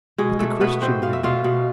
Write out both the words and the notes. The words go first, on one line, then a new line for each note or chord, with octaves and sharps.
"But the Christian name?"
B2 G#3 G#4
B2 A3 A4
B2 B3 B4
B2 C4 C5
B2 F5
E5
B2 F4 F5
B2